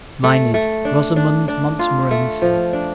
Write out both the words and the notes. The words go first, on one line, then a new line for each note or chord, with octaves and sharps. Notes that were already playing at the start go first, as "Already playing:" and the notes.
Mine is Rosamond Montmorency.
A3
A3
D4
D4
D4
F4
A3
F3
D4